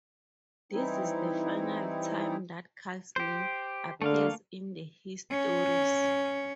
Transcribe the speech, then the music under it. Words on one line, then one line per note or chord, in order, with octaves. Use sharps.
This is the final time that Kal's name appears in the histories.
E3 G3 C4 D#4 E4
G4 C5
D3 A3 A#3 F5
C#4